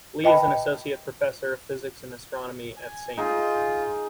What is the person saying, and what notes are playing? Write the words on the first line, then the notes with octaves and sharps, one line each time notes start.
Lee is an Associate Professor of Physics and Astronomy at St.
B4 D#5 G5 A5 B5
G#5
D#4 F4 G#4